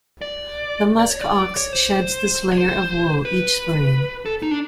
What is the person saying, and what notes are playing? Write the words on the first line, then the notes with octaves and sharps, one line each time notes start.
The muskox sheds this layer of wool each spring.
D5
D5
C#5
D5
C#5
C5
C#5
C5
B4
A4
D#4
D4